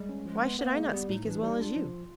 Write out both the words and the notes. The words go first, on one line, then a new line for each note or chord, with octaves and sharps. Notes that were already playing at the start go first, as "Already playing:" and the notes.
'Why should I not speak as well as you?
Already playing: G3 G#3
C#4
F3 G#3
B3
A#3 B3
G#3
G3 B3
A2 D#4
E3 D4
G3 D#4
D4 F4
F3